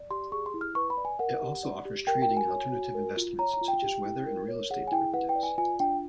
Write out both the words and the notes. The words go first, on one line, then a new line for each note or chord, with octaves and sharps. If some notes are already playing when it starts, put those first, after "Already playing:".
It also offers trading in alternative investments, such as weather and real estate derivatives.
Already playing: D5
G4 C6
G#4 C#6
C6
E4
F6
B4 C#6
B5
D5
G#5
A#4 F#5
G4
D5
G4
A#4 G5
G5
F#4
G#5
C#5
F#4
A#4
F4
C#5 A#5
A#5
F4
G5
G4
E4
A#4
C#5
G#4 F#5
G#5
E4 G5
B4 F#5
G5
D5
G#5
F4 G#5
D4 G5